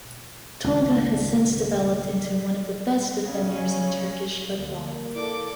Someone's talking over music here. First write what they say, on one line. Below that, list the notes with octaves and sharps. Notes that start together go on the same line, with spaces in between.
Tolga has since developed into one of the best defenders in Turkish football.
G#1 C#2
C#3 C#4
D2 A#3
E3 A4 D5 D6